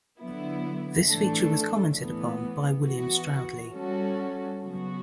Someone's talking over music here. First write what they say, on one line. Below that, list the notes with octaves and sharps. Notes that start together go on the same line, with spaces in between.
This feature was commented upon by William Stroudley.
D3 F#3 B3 E4
A2 E3 A3 D4 A4
A2 E3 B3
E3 B3 F#4
G3 C#4 F#4 A4
C#3 F#3 B3 F#4